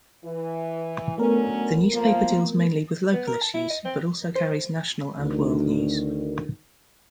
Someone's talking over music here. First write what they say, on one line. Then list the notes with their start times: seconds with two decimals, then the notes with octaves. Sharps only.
The newspaper deals mainly with local issues, but also carries national and world news.
0.25 E3
1.18 D3 F#3 A3 B3 C#4 A#4
1.92 F3 A#3
3.13 B3
3.27 A#4
3.41 A5
3.54 E4
3.70 D#5
3.85 C4
4.35 C5
5.19 D2 D#3